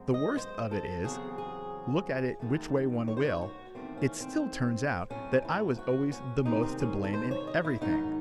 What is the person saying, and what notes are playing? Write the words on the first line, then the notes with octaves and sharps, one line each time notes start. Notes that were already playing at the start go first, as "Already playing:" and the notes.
The worst of it is, look at it which way one will, it still turns out that I was always the most to blame in everything.
Already playing: F#2 G#3 C4
D#5
C5
A4
E2 C#3 F#3 C4 G#4
G#4
F#2 D#3 A3
C#5
C5
C#5
F#4
E2 D#3 A3 C4
C#4
C4
A2 F#3 A3 C4 C#4
E4
F#4
C#4
C3 D#3 G#3 C4 D#4
C4
C#4
A4
C5
C#5
D#5
E4
G#2 D#3 F#3 D#4